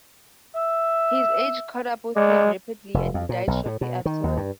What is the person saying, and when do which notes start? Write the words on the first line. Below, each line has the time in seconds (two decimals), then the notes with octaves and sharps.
His age caught up with him rapidly and he died shortly afterwards.
0.55 E5
2.16 G#3 D5
2.94 F1
3.14 F2
3.29 A#2
3.47 B1
3.66 A2
3.81 B2
4.05 D#3
4.24 D#2
4.37 G2